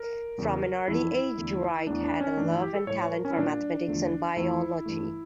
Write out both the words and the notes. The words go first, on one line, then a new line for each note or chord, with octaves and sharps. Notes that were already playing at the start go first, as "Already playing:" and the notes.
From an early age Wright had a love and talent for mathematics and biology.
Already playing: A#4
E2 C#3 G3
F2 E3 G3 E4
E4
E2 D3 A3
E2 E3 A3 D4
D4
C#4
G2 E3 A3 D4
E4
G4
A4
A2 G3 C#5
C#5
A#4
C#4
E4
A#2 G3 D4
E2 D3 F3 A3
F2 E3 A3 E4
G2 E3 A3